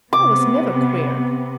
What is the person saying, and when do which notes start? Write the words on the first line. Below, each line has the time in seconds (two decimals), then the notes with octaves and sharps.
I was never queer.
0.13 C3 B3 D6